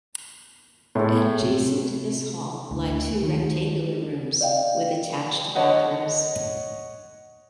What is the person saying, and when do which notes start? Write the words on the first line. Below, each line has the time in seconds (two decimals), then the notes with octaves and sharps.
Adjacent to this hall lie two rectangular rooms with attached bathrooms.
0.95 A2 B3 G#4
1.42 C3
2.71 D2
3.23 D#3
4.41 D5 D#5 F5 G5
5.55 C#5 D#5 F#5